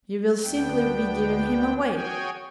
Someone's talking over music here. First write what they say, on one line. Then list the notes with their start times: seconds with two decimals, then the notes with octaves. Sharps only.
You will simply be giving him away.
0.43 D2 B3 D4 G5
1.91 F#4 G#4 C#5 G5 G#5